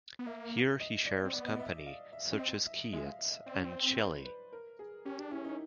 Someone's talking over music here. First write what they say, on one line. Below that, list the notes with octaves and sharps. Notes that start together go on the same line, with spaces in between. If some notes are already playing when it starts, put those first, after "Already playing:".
Here he shares company such as Keats and Shelley.
B3
A#3 E5
D#5
D5
C4
B3 D5
D#5
E5
E5
F5
E5
C#4
C4 D#5
E5
G#3 E5
F5
E5
E5
C4 D5
C#4
C4
C5
B4
B4
A#4
G#4
C#4 G4
D4 G4
C#4 E4
D#4